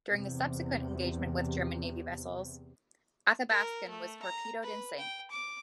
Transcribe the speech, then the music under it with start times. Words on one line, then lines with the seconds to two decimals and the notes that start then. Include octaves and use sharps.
During the subsequent engagement with German naval vessels, "Athabaskan" was torpedoed and sank.
0.11 E2 C3
3.50 A#4
3.89 A3
4.22 A#5
4.63 B4
4.99 G5
5.31 D6